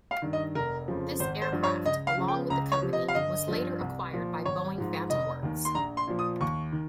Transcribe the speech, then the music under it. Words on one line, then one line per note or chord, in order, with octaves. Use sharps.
This aircraft, along with the company, was later acquired by Boeing Phantom Works.
F5
G2 D#3
D#5
F1 A#4
F2 C#3 F3
G#1 C5
C5
G2 F3
C#5
C#2 D#5
F5
C#3 F3
G5
C#2 A#5
C#5
C3 F3
D#5
F5
G1 D#5
G2 F3
C2
A#2 F3
G#1 C#5
G#2 F3
F1 D#5
D#2 D#3
C6
A#1 A#5
C6
A#2 F3
D#6
D#2 C#6
D#3